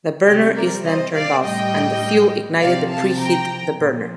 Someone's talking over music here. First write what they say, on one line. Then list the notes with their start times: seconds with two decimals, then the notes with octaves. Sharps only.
The burner is then turned off, and the fuel ignited to preheat the burner.
0.25 C3 G3 G4
0.54 A#4 D5
0.84 C5 D#5
1.14 D5 F5
1.43 A2 G3 D#5 G5
2.61 C3 F3 D5 F5
2.90 F5 A5
3.19 G5 A#5
3.78 A#2 F3